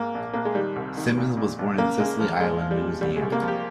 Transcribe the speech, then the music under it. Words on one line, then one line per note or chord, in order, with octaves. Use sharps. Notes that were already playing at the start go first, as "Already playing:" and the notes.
Simmons was born in Sicily Island, Louisiana.
Already playing: G#2 A#3
A#1
A#1 A#3
G#3
D#3 G3
C2
D#3
A#2
A#2
A#1
C#3 A#3
C#3 G#3
F3
A#2 G#3
F3
G3
A#2
C2 G3
G#3
C2
A#3
F3
G4